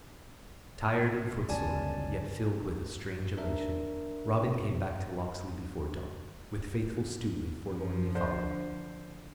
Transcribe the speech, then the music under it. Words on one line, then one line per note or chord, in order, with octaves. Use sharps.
Tired and footsore, yet filled with a strange elation, Robin came back to Locksley before dawn, with faithful Stuteley forlornly following him.
G1 C#2 F#2 D5 G#5 A5
D4 A#4 E5
F3
D3 C5